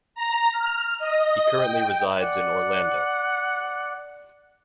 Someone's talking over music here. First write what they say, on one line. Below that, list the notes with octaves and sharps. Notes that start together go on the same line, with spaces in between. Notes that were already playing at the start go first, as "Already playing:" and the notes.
He currently resides in Orlando.
A#5
F6
D#5
G5
D5 F#5